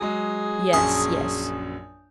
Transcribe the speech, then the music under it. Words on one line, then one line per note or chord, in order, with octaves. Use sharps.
"Yes, yes."
F#3 G#3 G#4
A#1 F#2 G#5 D#6